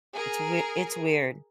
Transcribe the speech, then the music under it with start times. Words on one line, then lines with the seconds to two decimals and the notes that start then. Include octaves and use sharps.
It's wei it's weird.
0.14 G#4 A#4